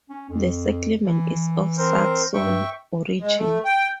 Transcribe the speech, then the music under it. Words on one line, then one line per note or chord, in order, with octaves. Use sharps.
The settlement is of Saxon origin.
C#4
F2
E3
C4 A#4 C5
G2 E5 G5 C#6
G#3
A3
G5